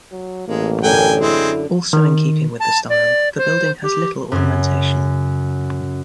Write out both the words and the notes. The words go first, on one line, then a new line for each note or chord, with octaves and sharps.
Also in keeping with the style, the building has little ornamentation.
F#3
A1 G#3 A#3
F#2 D3 A4 A#4 G5 G#5
G#3 C4 E4
D#3
A5
D5
C5
G4
F#2 C#3